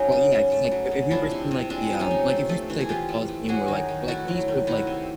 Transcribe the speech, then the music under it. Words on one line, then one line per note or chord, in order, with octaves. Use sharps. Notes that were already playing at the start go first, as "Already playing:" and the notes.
Well, yeah, 'cause like if if you've ever seen, like, the, um like, if you've seen, like, the Colosseum where, like or, like, any sort of, like,
Already playing: F#3 C#4 D#4
C#3
C#3
A3
F#3
C#3
F3 D4 E4
C3
C3
G#3 C4 D4
F3
C#4 D#4
C3
A3
A3
E3
G#4
E3 F4 G4
A3
A3
F#3 F#4 G#4
D#3
D#3
A3 E4 F#4
F#3
D#3
D#3 E4 F#4
C3